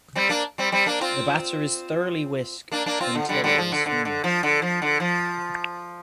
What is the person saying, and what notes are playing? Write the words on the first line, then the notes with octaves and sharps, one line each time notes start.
The batter is thoroughly whisk until it is smooth.
G3 C4
A#3 D4
G3 C4
G3 C4
A#3 D4
C4 F4
A#3 D4
A#3 D4
C4 F4
D3
D3 G3
D3 G3
F3
D3
D3
D3
F3
D3
F3
D3
F3